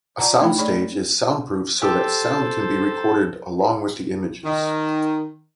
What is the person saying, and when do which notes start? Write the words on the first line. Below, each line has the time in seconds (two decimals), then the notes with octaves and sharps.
A soundstage is sound-proofed so that sound can be recorded along with the images.
0.19 F4 D5 F#5 A5 A#5
0.41 A3 D4 D#4 B4 G5 B5
0.58 A3 G#4 C#5 D5 B5 C#6
1.82 G4 A4 C5 E6
4.45 D#3